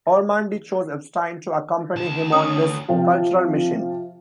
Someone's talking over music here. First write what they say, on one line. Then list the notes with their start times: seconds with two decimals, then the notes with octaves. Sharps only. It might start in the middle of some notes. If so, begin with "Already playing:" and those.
Ormandy chose Epstein to accompany him on this cultural mission.
1.96 D2 A5
2.32 C#4 D#6
2.88 C3 F3 F4 G4